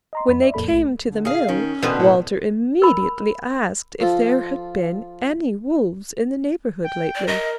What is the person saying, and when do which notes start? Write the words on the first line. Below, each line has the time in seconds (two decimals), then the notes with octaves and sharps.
When they came to the mill Walter immediately asked if there had been any wolves in the neighbourhood lately.
0.13 D#5 A#5 C6
0.29 F2 B5
0.41 D5 E5
0.54 F2 A2 A#3 A4 B5
0.68 B1 A3
1.09 D3
1.25 G#4 F5
1.49 D#3 C#4
1.83 B2 D3 C4 B4
1.99 A2
2.82 A#4 B5
4.00 F3 F4 A4
6.84 G5
7.15 D5
7.27 A#4 D#5